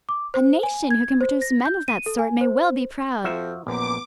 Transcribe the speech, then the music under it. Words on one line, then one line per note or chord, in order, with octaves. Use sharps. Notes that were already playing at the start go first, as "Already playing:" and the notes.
A nation who can produce men of that sort may well be proud.
D6
C5
G#5
G#6
C5
A#6
G6
D#7
A4
G#5
C5
F2 F3 F#4 E5
A#1 F#2 A#2 B3 D6